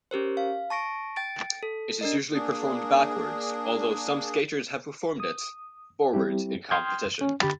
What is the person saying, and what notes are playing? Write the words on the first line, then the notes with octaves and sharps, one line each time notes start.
It is usually performed backwards, although some skaters have performed it forwards in competition.
C#4 G4 A#4 C5
F5
A5 C#6 A#6 D7
G5 A6 D7
A4
D4 A#4 D#5
A#3 D4 G#4
D#6
G3 C4 E4 G4
G5 C6 D#6 F6 G6 G#6
C#4
D3 G4 B5 A6